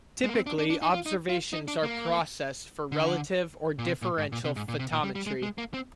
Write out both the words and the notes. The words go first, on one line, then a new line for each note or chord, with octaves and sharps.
Typically, observations are processed for relative, or differential photometry.
G#3
A#3
C4
D4
D4
D4
D#4
F4
D#4
F4
D#4
D4
A#3
D3
A#2
C3
A#2
G#2
A#2
C3
G#2
A#2
C3
A#2
G3
G3
G#3
G#3
A#3
C4